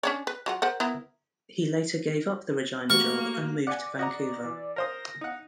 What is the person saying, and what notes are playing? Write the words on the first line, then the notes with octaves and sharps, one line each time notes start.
He later gave up the Regina job and moved to Vancouver.
C#4 D4 C#5
B4
F#3 F4 F#5
A#4 C5 F#5
B3 E4 A#4
A3 A#3 F#4 G4 C#6 F6
D5 F#5 G#5
F#4 D#5 A#5
E3
A#4 C5 D#6 A#6
D#4 F#5